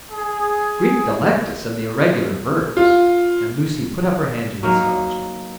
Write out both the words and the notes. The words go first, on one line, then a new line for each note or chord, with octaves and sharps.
"Greek Delectus and the irregular verbs!" And Lucy put up her hands with astonishment.
G#4
F4
F#3 A#3 D#4